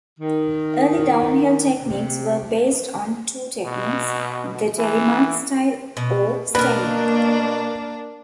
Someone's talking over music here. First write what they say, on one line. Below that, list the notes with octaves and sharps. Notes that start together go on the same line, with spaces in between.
Early downhill techniques were based on two techniques, the telemark style or stemming.
D#3
C3
B2
E3
B2
B2 A#3 D4 A#4 B4